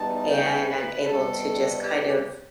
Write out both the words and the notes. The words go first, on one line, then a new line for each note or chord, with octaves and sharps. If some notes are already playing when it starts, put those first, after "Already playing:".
and I'm able to just kind of
Already playing: E2 B2 G3 B3 D#4 A5
G5
B4
E2 B2 G3 A4
G4